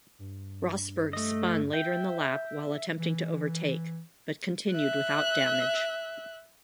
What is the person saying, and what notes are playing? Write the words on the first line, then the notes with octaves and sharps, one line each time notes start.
Rosberg spun later in the lap while attempting to overtake, but continued without damage.
G2
A3 D#5
E5 G5
E3
E5 F#6